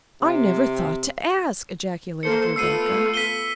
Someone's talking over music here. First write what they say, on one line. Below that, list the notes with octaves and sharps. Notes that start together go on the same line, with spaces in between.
"I never thought to ask!" ejaculated Rebecca.
C3
A#3 A4 C5 C#7
A3 B3 F4 E6 C7 D#7
B6 D#7 G7